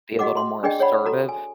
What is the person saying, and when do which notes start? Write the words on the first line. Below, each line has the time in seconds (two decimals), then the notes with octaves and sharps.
Be a little more assertive
0.19 F#4 G#4 D#5 F#5 D6
0.37 C6
0.63 D4 G#4 D5 D#5 G5
0.79 G#4 C#5 D5 F#5 B5
1.05 F#4 A4 A#5
1.29 G#5